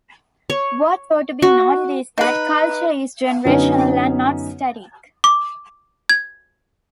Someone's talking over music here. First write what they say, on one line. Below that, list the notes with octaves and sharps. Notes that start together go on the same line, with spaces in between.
What ought to be noted is that culture is generational and not static.
C#5
F#4
D#4 B4
F#2 D3 B3 C#4 D#4
D6
G#6